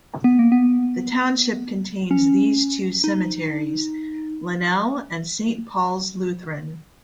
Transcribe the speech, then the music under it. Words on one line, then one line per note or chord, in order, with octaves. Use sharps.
The township contains these two cemeteries: Linnel and Saint Paul's Lutheran.
B3
A#3
B3
C#4
D#4